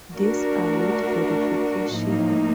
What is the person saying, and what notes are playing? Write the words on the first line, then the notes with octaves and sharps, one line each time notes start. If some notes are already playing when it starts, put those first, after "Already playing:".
These await verification.
A3 D4 F#4 A#4
A2 F3 A#3 D#4